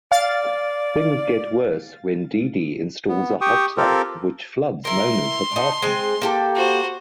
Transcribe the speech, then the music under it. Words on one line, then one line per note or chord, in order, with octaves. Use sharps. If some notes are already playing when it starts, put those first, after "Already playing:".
Things get worse when Dee Dee installs a hot tub, which floods Mona's apartment.
D5 F5 A6
B3
G4 G5 C#6 D#6
C4 F4 G4 A4 A#4
E4 A#4 C6
D4 D#4
G#3 C4 G#5
A#3 G4 A4
F#4 C5